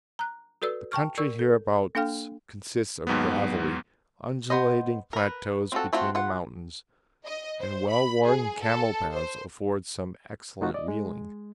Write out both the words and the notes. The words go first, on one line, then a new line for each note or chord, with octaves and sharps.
The country hereabouts consists of gravelly, undulating plateaus between the mountains, and well-worn camel-paths afford some excellent wheeling.
A#5 F#6
F#4 A4 B4 D5 E6
G5 A5 C#6 F6
A#4 D5 C#6 E6
A4
A#3 D4 A4 F5 G5 F6
D#2 G#2 F#3 B3
B3 C5 D#5
A#4 B4
C4 F4 F#4 A4
A3 C4 F4 F#4
F4 F#5
D#5
C5
B5
G#4
A4
C5
C3 A3 D#4 F4 F#4
D5 D#5
G#3